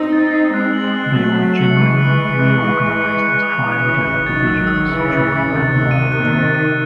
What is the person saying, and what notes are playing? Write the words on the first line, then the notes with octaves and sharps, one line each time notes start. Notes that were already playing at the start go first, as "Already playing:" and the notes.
They were generally reorganized as triangular divisions during that war.
Already playing: C4 D#4 E6
A6
C7
G#3 C4 F#6
F#7
F#6
F#3 A3 F#7
F#6
C#7
E3 G#3 C#6
F#6
C#7
F#6
C#6
C#6
C#7
F#6
D#6
C#3 E3 D#6
D#6
F#6
D#3 F#3 A6
E6
E6
C#3 E3 C#7
E6
C#7
C3 D#3 A6
F#6
D#7
C3 D#3 F#6
A6
D#7